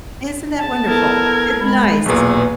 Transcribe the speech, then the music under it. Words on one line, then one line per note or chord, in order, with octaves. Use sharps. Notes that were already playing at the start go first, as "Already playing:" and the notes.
Isn't that wonderful? It's nice.
A5
B3 E4 A4 A#4 G#6
G#3 B5
B1 E2 A#2 G#4 B4 C#6